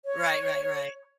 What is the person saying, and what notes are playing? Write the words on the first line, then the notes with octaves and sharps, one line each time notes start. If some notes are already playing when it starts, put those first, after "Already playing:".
Right, right, right.
C#5